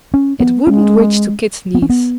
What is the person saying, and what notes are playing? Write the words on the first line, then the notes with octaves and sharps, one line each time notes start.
It wouldn't reach to Kit's knees.
C#4
B3
G#3 C#4
B3
C#4
B3